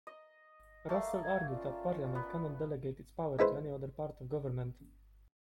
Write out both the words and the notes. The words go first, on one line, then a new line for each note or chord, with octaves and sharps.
Russell argued that Parliament cannot delegate its powers to any other part of government.
D#5
A3 A#3 D#5 F5 A5
F#5 G#6
C#4 F4 D5
B3
G#3 E4 B4 C5